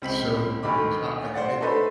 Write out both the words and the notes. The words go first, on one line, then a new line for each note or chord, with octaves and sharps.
So n I e eh
C#2 C4 B6 F#7
D2 D3 D#3 B5 D6
C5 D5 F#5 A6
A3 D4 D#4 A4 B4 C5